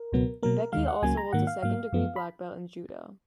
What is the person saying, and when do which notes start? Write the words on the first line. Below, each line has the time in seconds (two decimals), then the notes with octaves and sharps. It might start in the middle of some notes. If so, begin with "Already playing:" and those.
Becky also holds a second degree black belt in judo.
Already playing: A#4
0.12 C#2 B2 F#3 B3
0.43 B2 F#3 A#3 A#4
0.73 D#2 D#3 G#3 F5
0.88 F#5
1.03 C#2 C#3 F#3 A#3 G#5
1.17 A#5
1.33 G#2 D#3 A#3 F#5
1.47 F5
1.62 G#2 F#3 A#3 F5
1.93 F#2 F3 B3
2.16 B5